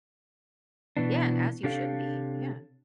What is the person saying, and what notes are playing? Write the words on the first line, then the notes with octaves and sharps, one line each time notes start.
Yeah, and as you should be, yeah.
B2 E3 B3 D4
C3 D4 G4 A4 C#5 F5